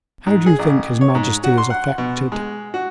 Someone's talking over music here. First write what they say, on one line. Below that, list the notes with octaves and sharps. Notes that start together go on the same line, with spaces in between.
"How do you think his majesty is affected?"
G#2
G#4
A1
C#5
G#2
F#4
C6
F#5
B2
G#3
F#4